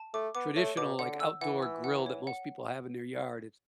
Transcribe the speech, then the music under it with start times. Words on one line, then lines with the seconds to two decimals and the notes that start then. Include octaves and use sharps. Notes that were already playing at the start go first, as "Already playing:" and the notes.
traditional, like, outdoor grill that most people have in their yard, it's
Already playing: A5
0.14 A3 D6
0.35 B3 D6
0.56 A3 C#5
0.77 B2 D6
0.99 D3 F#5
1.20 E6
1.41 E3 F#5
1.62 E6
1.84 F#5
2.06 C#5
2.27 F#5